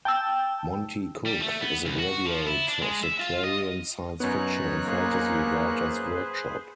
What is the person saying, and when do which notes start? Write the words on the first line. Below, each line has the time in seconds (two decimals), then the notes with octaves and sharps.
Monte Cook is a graduate of the Clarion Science Fiction and Fantasy Writer's Workshop.
0.05 G5 A5 E6
1.26 G3
1.42 A3
1.61 B3
1.85 C2
1.99 F#4
2.25 F3
2.46 E4
2.68 D4
2.82 G#3
3.03 E5
3.20 F4
3.44 D#5
4.20 F#2 B3 D#4 C#5 F#6
4.86 A#3 G#4 B4 C5